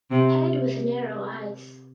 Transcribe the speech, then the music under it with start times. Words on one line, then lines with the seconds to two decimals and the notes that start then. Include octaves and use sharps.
Head with narrow eyes.
0.11 C3